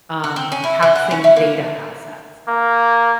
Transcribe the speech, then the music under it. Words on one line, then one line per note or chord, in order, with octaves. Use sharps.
um, taxing data assets.
F#4
C4
C#4
E4
E3
F#5
C#4
E4
A#3
A#3